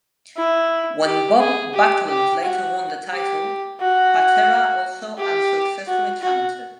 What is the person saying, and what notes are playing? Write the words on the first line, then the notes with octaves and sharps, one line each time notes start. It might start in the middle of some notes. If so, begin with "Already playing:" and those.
When Bob Backlund later won the title, Patera also unsuccessfully challenged him.
E4
G4
G#4
G4
G4
F#4
G4
F#4
G4
F#4
F#4